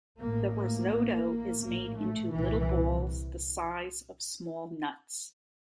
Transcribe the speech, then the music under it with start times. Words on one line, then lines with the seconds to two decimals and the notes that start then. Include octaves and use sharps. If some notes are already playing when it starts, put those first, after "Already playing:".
The risotto is made into little balls the size of small nuts.
0.19 A1 A2 A#3
0.55 A#3
0.91 A1 A2
1.61 A#1 A2 A#3
1.97 A3
2.32 C2 A#2 E3